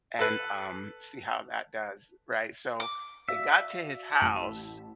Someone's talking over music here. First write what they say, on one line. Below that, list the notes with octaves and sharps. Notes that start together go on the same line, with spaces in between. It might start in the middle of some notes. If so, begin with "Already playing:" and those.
and, um, see how that does, right, so they got to his house
A4 B4
D6
F#4 D5 E5 F5
A1 A5